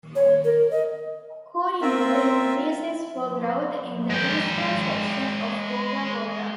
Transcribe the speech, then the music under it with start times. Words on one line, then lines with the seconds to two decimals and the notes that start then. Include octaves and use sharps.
Kooringal is the basis for growth in the eastern section of Wagga Wagga.
0.15 C#5
0.44 A#4
0.71 D#5
1.81 C4 F4 A#4 E5
4.10 G#3 G5